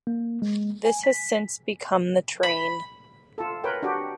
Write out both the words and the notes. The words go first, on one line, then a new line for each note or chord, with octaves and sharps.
This has since become the train.
A#3
G#3
G#5
B6
B5
F4 A4
A#4 B4 C#5 G5
D4 F#4 G4